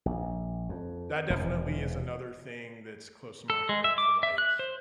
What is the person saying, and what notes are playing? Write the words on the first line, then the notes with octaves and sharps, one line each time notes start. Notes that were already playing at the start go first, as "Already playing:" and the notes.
that definitely is another thing that's close to my heart for, like,
A#1
F2
E1 E2 C3
A4
G#3
E5
D6
E5
F#6
C5